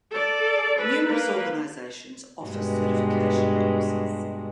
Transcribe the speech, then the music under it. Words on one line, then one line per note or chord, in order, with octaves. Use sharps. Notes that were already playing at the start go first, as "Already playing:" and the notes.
Numerous organizations offer certification courses.
A4 D5
A4 B4
A#3 B4
G2 B2 G#3